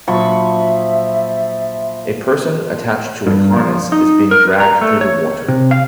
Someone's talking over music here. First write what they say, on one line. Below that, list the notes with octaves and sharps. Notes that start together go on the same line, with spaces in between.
A person attached to a harness is being dragged through the water.
A#2 F3 F#3 D4 E5 B5 C#6
G2
F3
D#4
A#4
B4
A#5
A3
C#5
C3
F5